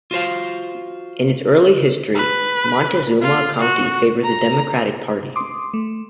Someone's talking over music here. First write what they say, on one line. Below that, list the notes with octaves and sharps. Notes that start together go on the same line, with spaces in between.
In its early history Montezuma County favoured the Democratic Party.
F4 F#4 C5 F5
B4
F4
F#4
A#5
C6 D6 D#6
A3